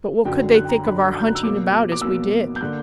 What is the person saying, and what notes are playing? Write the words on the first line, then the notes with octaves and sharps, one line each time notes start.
"But what could they think of our hunting about as we did?"
F#2 D3 F#3 G5
F#6
G5
A#5
F#2 D3 F#3 B5
G6
F#6
E6
B2 F#3 A#3 D6
D6
B2 F#3 A#3 E6
G6
D3 A#3 F#6